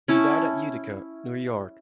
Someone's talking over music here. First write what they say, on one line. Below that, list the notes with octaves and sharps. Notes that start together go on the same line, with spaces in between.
He died at Utica, New York.
C#4 E4 A5